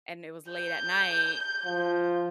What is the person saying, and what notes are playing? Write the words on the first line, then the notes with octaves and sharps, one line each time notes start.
and it was late at night,
G6
F3